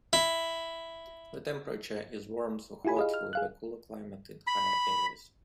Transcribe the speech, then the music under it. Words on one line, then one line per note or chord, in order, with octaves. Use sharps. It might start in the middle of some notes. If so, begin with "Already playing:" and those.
The temperature is warm to hot, with a cooler climate in higher areas.
E4
E4 F4 G4 G#5 B5
G#4 D#5 F5
F6
G#4 F5 F#6
B5